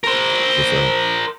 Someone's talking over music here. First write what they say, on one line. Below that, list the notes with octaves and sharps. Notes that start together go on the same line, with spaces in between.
What's that?
A#4 C5